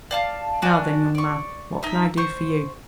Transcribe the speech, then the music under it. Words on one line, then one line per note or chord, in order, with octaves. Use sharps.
"Now then, young man, what can I do for you?"
D5 F5 A5
D4 F#4 G#5
D5 C#6
D#4 E5
C5 C#6